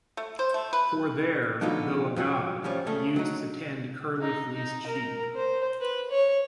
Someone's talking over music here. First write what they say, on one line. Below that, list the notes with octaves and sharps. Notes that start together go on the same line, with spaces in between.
For there, though a god, he used to tend curly-fleeced sheep.
A3
C5
A3
B4
D3 F3 F#3 B3 D#4
F2 F#3 C#4
F3 G3 C#4
C#3 A3
F#3 D#4
D#4
D#4
A#4
C5
B4
C#5